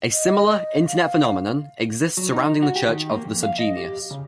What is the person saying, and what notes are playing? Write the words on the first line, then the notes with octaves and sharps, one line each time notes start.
A similar Internet phenomenon exists surrounding the Church of the SubGenius.
D#5
F5
F#3
D#4
F#4
G4
D#3
A#3
F2
F5
D#5
G4
C#3